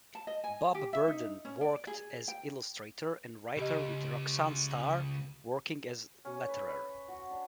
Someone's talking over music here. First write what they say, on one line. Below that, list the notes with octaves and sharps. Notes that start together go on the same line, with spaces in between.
Bob Burden worked as illustrator and writer with Roxanne Starr working as letterer.
A5
D#5
G#5
G4
E5
D#4
C#4
D5
G#4
G5
C#2 G4 D#5
C#4
B4
B4
F#4
D4